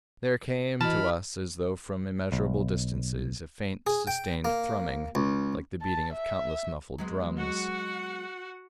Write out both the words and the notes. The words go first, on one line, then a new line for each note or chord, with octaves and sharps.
There came to us as though from immeasurable distances, a faint, sustained thrumming--like the beating of countless muffled drums.
E3 F#4 D#5 A5 B5 F6
B1
G#4
G5
A#3
C#2
A5
E5
F#3 G#3 B3
F#4 F#5